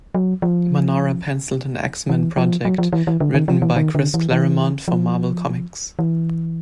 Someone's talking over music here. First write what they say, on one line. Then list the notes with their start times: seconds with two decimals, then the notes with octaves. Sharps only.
Manara penciled an "X-Men" project written by Chris Claremont for Marvel Comics.
0.15 F#3
0.42 F3
2.09 E3
2.37 F3
2.65 F#3
2.78 F3
2.93 E3
3.07 E3
3.20 D3
3.34 D#3
3.48 F3
3.62 E3
3.76 D#3
3.95 D3
4.14 E3
4.32 E3
4.88 F3
5.99 E3